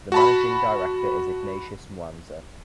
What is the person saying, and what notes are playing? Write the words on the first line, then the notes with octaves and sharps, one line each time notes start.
The managing director is Ignatius Mwanza.
F#4 A5 B5